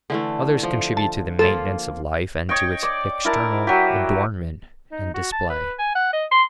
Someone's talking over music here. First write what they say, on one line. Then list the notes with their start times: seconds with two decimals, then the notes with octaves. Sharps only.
Others contribute to the maintenance of life, and to its external adornment and display.
0.10 D3 E3 A3
0.63 F3
0.97 A5
1.39 F3 A#3 F4 A4
2.49 C#5 D#5 G5
2.83 D5 D6
3.25 E4 A#4 A5
3.67 F#3 G4
4.92 D#4
5.14 F#4
5.32 A5
5.50 B4
5.79 G#5
5.95 F#5
6.13 D#5
6.32 C6